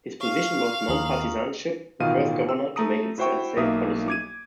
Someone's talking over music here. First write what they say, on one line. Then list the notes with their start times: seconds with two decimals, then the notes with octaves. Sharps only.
His position was non-partisanship, the first governor to make it a state policy.
0.21 F5 C#6
0.89 D#2 A#5 D#6 F#7
2.00 A1 B2 D#3 F4 F5 D#7
2.49 E6
2.76 A3 A#5 D#6
3.18 E4 F#4 C5 E5 G5 C#6
3.56 B1 A#3 D#4 E5 D#6
4.08 D6 G#6 D#7